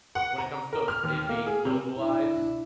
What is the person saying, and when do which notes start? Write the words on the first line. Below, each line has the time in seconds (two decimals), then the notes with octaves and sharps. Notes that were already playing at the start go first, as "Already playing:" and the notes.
when it comes to it being localized,
0.15 F#5
0.38 A#5
0.73 A#4
0.88 F6
1.03 D#2
1.29 A#3
1.47 G#4
1.65 C3
1.97 D4 E4